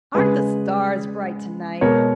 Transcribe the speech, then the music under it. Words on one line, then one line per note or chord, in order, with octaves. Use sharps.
Aren't the stars bright tonight?
C#3 G#3 G#4 B4
B2 G#3 A#4 C#5